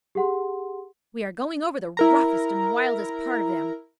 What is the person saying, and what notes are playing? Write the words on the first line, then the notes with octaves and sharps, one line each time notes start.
We are going over the roughest and wildest part of them.
G4 G#4 F#5 C6
E4 A#4 A#5